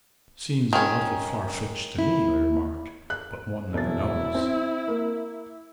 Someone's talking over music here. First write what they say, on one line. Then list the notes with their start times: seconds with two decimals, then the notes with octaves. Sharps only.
"Seems a little far-fetched to me," I remarked; "but one never knows."
0.73 D#3 C#4
1.99 E4
3.10 F#6
3.73 E1 E4 A6
4.35 C4
4.88 A#3